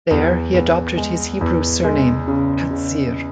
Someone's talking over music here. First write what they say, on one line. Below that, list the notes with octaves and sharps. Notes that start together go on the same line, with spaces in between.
There, he adopted his Hebrew surname "Katzir".
E2
E2
G#3
E2
G#3
C#3
C#3